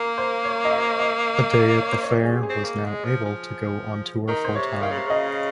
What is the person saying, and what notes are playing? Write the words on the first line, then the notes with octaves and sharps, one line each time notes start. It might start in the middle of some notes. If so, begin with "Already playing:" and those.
A Day at the Fair was now able to go on tour full-time.
Already playing: A#3 A#4
C5
C#5
D#5
F5
D#5
C#5
C5
C#5
G#4
G4
G#4
C4
A#3
G#3
F3
F3
D#3 A#4
C5
C3 C#5
D#3 F5
C#3
C3
C#3 D#5